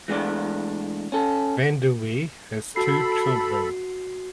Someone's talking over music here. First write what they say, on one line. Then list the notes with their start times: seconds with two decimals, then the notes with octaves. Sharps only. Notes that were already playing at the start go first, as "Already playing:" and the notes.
Van der Wee has two children.
0.08 E3 G#3 A3 D4 D5
1.12 C#4 A4
2.76 F#4 A4 B5 C7